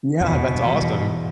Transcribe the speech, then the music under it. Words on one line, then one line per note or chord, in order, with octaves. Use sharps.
Yeah, that's awesome.
E2 B2
E2
G2
E3
G3
E2 E3